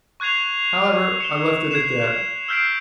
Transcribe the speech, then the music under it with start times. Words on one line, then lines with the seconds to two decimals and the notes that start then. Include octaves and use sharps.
However, I left it at that.
0.20 C#6 F#6 G#6 C7 F7
1.20 C#7 E7 G7
1.71 G#6 C7 E7
2.48 E6 F6 G6 B6 C7 D7